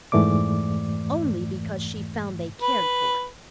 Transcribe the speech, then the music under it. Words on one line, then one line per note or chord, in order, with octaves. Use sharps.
Only because she found they cared for it.
F2 G#2 E3 A3 D5 D6
B4